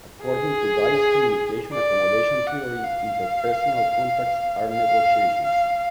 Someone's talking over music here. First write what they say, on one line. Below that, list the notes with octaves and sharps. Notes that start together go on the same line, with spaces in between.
According to Giles' Communication Accommodation Theory, interpersonal contacts are negotiations.
G#4
D5
F#5
F5
F5
F5